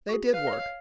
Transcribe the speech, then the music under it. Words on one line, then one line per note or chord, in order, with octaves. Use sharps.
They did work.
F#4
G#4
B4 F5
D#5
C#5